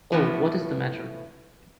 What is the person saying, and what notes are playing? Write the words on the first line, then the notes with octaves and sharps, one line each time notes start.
Oh, what is the matter?
A2 E3 F3 B3 C#4 E5